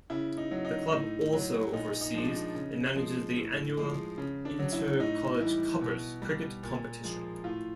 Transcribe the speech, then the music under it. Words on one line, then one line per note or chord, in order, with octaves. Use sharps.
The club also oversees and manages the annual inter-college 'Cuppers' cricket competition.
C#3 E4
D#4
F#3
D#4
A2 D#4
F#3
A#2 D#4
D#4
F3 G#3 D4
D#4
C#3
F3 G#3
A2
F3 G#3
C#3
D4
F#3
E4
A2 D#4
E3 G3 E4
B2
G3
A#2
F3 G#3
A2 F4